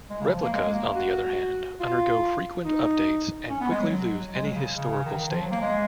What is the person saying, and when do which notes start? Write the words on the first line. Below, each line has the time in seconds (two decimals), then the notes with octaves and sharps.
Replicas, on the other hand, undergo frequent updates and quickly lose any historical state.
0.10 G#3
0.21 C#3
0.32 F3
0.42 A#3
0.53 G#3
0.74 A#3
0.96 F#4
1.80 F4
2.65 D#4
3.50 C#4
3.61 B3
3.71 G#3
3.81 F#3
4.35 G#3
4.45 F#3
4.55 C#3
4.77 C#3
4.91 C#3
5.05 D#3
5.20 D#3
5.30 F3
5.41 F#3
5.51 A#3
5.61 G#3